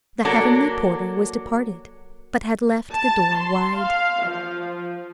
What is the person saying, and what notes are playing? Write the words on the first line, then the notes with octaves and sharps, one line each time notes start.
The heavenly porter was departed, but had left the door wide.
F#3 A#3 D4 A4 D5
A5
C6
F5
F3